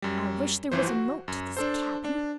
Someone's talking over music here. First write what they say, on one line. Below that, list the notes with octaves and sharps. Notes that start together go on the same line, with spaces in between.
I wish there was a moat to this cabin.
F#2 G3
G1 E3 F3 C5
F#4
F#2
D4 A4 C5
D4